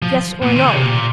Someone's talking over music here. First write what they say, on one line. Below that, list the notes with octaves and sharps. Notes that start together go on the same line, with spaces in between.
Yes or No?'
F3
A#2
D#3
C#3
C3
A#2